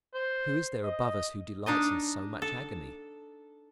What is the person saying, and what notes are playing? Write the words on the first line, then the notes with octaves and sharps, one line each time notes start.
Who is there above us who delights in so much agony?
C5
D#5
D4 D#4 D#5
A4